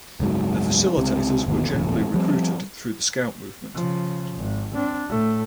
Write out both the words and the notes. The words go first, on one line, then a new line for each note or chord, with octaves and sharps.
The facilitators were generally recruited through the scout movement.
F#1 C#2 G#2 F#3
C#2 C3
G1 D#2 B2
D#1 A1 F2
F3 G3 A#3 C4
C#3 F3
G#1
C4 D4
A2 A3